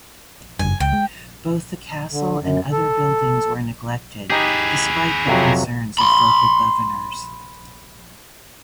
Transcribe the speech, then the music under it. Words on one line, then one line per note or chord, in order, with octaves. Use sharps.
Both the castle and other buildings were neglected despite the concerns of local governors.
F#1 G2 G#5
C#2 G5
G#3
D3
F#2
A4
D#4 G4 G#4 B4
F2 C3 F#3
B5 C6